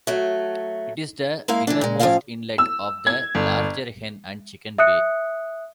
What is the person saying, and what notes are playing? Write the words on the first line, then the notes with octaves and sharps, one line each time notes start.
It is the innermost inlet of the larger Hen and Chicken Bay.
F#3 A3
G#3 A#3 E4 F5
E3 A3 D4
A#2 G#3
A2 F3 F#3 A3 C#4 F5
E6
G#6
G1
E5 D#6 F#6 C#7